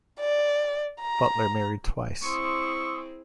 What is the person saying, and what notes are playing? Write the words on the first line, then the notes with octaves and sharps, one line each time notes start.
Butler married twice.
D5
A#5
C4 E4 G#4 C6 C#6 D#6 E6